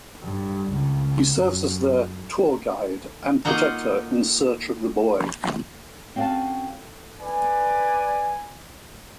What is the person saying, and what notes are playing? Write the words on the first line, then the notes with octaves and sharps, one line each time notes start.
He serves as their "tour guide" and protector in search of the boy.
G2
C#2
F#2
A#3 D#4 F4 F#4 A#5
C4 C#4 F#4 E5 F5 A5
B4 D5 G#5